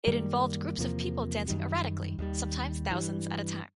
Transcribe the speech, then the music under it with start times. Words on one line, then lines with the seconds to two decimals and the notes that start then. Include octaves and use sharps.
It involved groups of people dancing erratically, sometimes thousands at a time.
0.07 F#2 D#3 G3 A#3
0.78 E2 C3 F3 A#3
1.48 F#2 D#3 G3
2.19 D#2 D#3 G3
2.89 G2 E3 G3